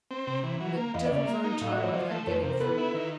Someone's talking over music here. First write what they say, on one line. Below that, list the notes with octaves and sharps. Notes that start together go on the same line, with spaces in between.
And the devil's own time I've had getting through.
C4
C3
E3
F#3
A#3
E2 D#5 F5
D5 E5
C#3
D5 E5
A#3
D#4
A2 F5
D5 E5
F#3
C#5 D#5
F3 C5 D5
A3
F2 B4 C#5
A#4 C5
C3
A#4 C5
B3 A4 B4
E4
D#3